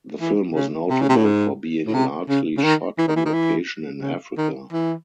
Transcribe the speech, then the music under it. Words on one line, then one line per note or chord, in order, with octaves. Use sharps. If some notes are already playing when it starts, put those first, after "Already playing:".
The film was notable for being largely shot on location in Africa.
E3
C#3
C3
C#3
C3
A2
G#2
A2
C3
C#3
C#3
D#3
E3
D#3
E3
D#3
E3
C#3
D#3
E3